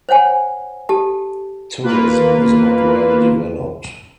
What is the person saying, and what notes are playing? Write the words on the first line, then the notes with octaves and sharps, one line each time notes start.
Tourism is not well developed.
C5 C#5 F#5 G#5
G4 A4 A5
A#3 F4 B4